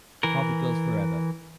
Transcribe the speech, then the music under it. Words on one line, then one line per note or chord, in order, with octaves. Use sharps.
Harvey Girls Forever!
E3 A#4